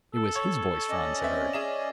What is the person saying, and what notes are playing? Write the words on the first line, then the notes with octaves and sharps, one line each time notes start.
It was his voice Franz had heard.
A4
C#5
C#4 D5 D#5
B3 C4 E5
G#4 E5 E7